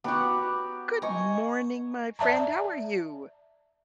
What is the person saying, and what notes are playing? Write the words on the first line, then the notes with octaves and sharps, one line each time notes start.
Good morning, my friend. How are you?
B3 F#4 G4 D5 A#5
D#5 G#5 A#5 C#6
D5 E5 A5 A#5